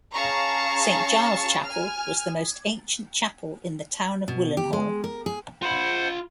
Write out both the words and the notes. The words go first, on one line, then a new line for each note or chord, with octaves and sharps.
Saint Giles' Chapel was the most ancient chapel in the town of Willenhall.
C#4 G#4 F5 A5 A#5 C#6
G#5 F6
B2
G4
G#3
A#4
G#4
F4 C5 F#5 B5